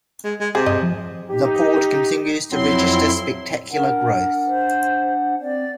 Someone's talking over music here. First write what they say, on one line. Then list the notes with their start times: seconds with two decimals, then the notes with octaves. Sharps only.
The port continues to register spectacular growth.
0.24 G#3
0.40 G#3
0.55 C3 G#4
0.66 G2 D#5
0.82 F3
1.29 D#4 G4
2.51 F2 F#3 C4 E4 C6
3.71 D4 A#4 F#5
4.46 C5
5.40 C4 D5